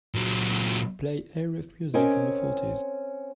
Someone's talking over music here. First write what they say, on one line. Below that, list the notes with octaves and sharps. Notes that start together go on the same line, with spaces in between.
Play Arif music from the fourties.
A#2 F#3
C4 C#4 A#4 D#5 G#5